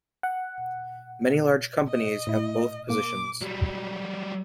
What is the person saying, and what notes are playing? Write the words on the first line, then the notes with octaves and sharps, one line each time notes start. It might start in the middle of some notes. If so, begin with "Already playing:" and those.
Many large companies have both positions.
F#5
D#5
A2 E4
A#3 D6
F#3 G3